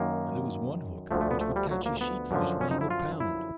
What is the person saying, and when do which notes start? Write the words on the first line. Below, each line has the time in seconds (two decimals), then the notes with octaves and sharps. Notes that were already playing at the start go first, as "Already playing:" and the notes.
And there was one hook which would catch a sheat-fish weighing a pound.
Already playing: F#2 D#3 A#3
1.11 D2 D3 F3 A3
1.21 A3
1.31 B3
1.41 A3
1.56 G3
1.71 F#3
1.86 A#3
2.01 B3
2.31 F#2 D3 F3
2.61 C#4
2.71 D#4
2.81 E4
2.90 F4
3.20 E4